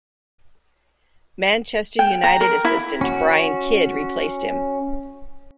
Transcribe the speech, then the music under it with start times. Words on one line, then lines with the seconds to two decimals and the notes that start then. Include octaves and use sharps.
Manchester United assistant Brian Kidd replaced him.
1.99 G5
2.24 A#5
2.41 A#4
2.65 E4
3.01 C#4 F#4